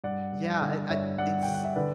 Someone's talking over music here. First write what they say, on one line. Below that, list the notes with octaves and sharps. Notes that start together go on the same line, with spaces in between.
Yeah, it I it's
G2 D5 F#5
G2
D3
G2 C#5 E5
G2 D5 F#5
D3 G5
F#5
E5
D3 B4 D5